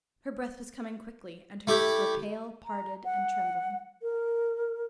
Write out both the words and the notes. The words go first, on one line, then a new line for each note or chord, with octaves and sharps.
Her breath was coming quickly, and her lips were pale, parted, and trembling.
A3 E4 G4
A#5
F#5
A#4